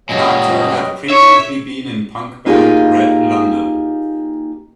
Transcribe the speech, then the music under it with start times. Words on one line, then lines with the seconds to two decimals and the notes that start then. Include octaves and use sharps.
Carter had previously been in punk band Red London.
0.09 F#2 A#2 F#3 G3 D#5
1.10 C#5 E5
2.46 A#3 D#4 F4 G4 G#4